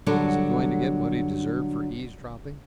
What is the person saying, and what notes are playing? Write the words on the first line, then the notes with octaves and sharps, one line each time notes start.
Was he going to get what he deserved for eavesdropping?
D3 F#3 G3 D4 A4